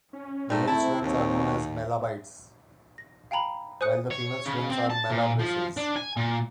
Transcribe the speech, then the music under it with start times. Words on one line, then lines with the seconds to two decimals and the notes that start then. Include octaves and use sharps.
The male students are known as Malabites, while the female students are Malabresses.
0.13 C#4
0.50 G#2 G3 A3
0.67 A3 C4 E4 A5
1.02 D#2 C#5
2.98 A#6
3.31 F5 G5 G#5 A#5 B5
3.81 C5 G#5 D#6 F#6 C#7
4.11 C#5
4.46 C#3
4.70 C4
4.90 A5
5.11 A#2
5.40 F3
5.77 D4
5.96 G#5
6.16 A#2